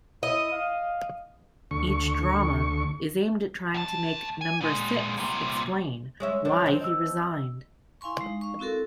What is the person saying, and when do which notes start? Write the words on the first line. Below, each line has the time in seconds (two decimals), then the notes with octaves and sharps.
Each drama is aimed at trying to make Number Six explain why he resigned.
0.23 E4 D#5
0.52 F5
1.71 D2 C#6
3.74 D2 A5
4.41 G#5
4.61 A#2 G#3
5.18 C2 A#2
6.20 G#3 C#4 E5
6.45 D3 F3 D4 C#5
6.66 F3 C4
6.81 D#5 E6
8.01 E4 F5 G#5 C6 C#6
8.21 G#3 D#4
8.41 F5 C#6
8.59 C4 E4 F#4 A4 A#4